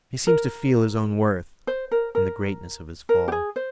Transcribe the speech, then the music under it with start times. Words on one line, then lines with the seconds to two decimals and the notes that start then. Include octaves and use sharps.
He seems to feel his own worth and the greatness of his fall.
0.27 A#4
1.67 C5
1.91 A#4
2.15 A#4
3.09 A#4
3.28 G4
3.32 G#4
3.56 C5